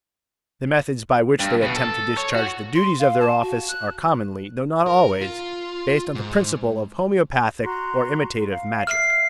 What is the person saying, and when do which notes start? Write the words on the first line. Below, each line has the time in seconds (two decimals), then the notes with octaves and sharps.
The methods by which they attempt to discharge the duties of their office are commonly, though not always, based on the principle of homoeopathic or imitative magic.
1.39 G2
1.62 B2
1.76 A4
2.17 C#5
2.35 F#4
2.75 C6
2.99 F5
3.20 A5
3.42 F#4
3.68 F#6
4.87 A#4
5.21 F4
6.15 G#2
7.64 F#4 A#5 C6
8.51 F5
8.87 E5 F6 C7